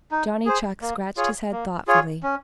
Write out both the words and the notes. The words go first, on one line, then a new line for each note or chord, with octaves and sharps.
Johnny Chuck scratched his head thoughtfully.
D#4
G#4 C5
A#3
F4 G#4 C#5
A#3
F4 G#4 C#5
C#4